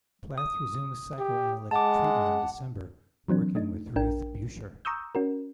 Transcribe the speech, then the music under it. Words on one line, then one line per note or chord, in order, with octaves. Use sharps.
Plath resumed psychoanalytic treatment in December, working with Ruth Beuscher.
D#6
G4
G#3 F#5 A5 D6
E3 F#3 C4 D4
A3 D4 D#4
A#1 D4 A#4 G5
A#5 C#6 D#6 E6 G6
C#4 F#4 A#4